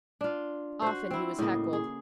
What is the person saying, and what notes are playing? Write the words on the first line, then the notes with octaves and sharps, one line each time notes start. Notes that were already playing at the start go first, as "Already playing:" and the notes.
Often he was heckled.
D4 F4
F#4 C5
C4 E4
A2 C#3 A#3 D#5
G#4